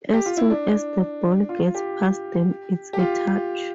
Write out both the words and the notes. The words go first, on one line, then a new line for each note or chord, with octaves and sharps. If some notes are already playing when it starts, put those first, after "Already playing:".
As soon as the ball gets past them, it's in touch.
G4
F4
E4
D4
F4
G4
G4
F4